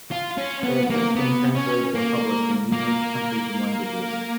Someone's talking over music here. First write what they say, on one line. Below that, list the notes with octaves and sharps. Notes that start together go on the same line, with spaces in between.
They have since been translated and published in numerous countries and languages.
F4
C#4
B3
A#3
B3
C#4
A#3
A#3